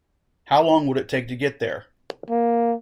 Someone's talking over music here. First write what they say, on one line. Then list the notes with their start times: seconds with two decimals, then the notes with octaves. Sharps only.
How long would it take to get there?
2.30 A#3